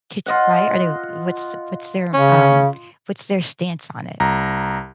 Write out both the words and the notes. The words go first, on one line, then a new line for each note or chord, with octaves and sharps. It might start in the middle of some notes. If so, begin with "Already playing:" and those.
to try it? Are they what's what's their, um what's their stance on it?
F4 D#5 F#5
C#3 C#4
C2 A#5